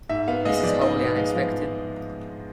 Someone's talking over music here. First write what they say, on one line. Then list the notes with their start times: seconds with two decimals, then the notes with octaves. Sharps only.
This is wholly unexpected.
0.09 G#2 E5
0.28 B3 F5
0.45 G#3 D#5
0.63 F3 D5
0.81 G#2 D#5
0.99 B3
1.17 G#3 F5
1.35 F3